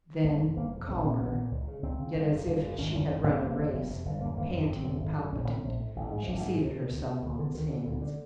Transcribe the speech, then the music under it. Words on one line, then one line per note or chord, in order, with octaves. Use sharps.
Then, calmer, yet as if she had run a race, panting, palpitant, she seated herself on the sands.
G1 A3
F2 C3
G1 A#3
F2 C3
A#1 C4
A#2 B3
A#1 B3
A#2
C#2
C#3
C#2 C4
C#3
G1
F#2 C#3
G1
F#2 C#3
G#1 C#4
F#2 D3 C#4
G#1 C4
F#2 D3 B3
F#1 A#3
F2 C3
F#1
F2 C3
G1
F#2 D3 A#3
G1 A#3
F#2 D3 C4
G#1 C4
F#2 D3
G#1
F#2 D3
A#1 C#4
A2
A#1
A2
A1
G#2 G#3
F3
A1 F#3
G#2
D2
C3
D2
C3
D2
D3
D2 D#3
D3
D2
D3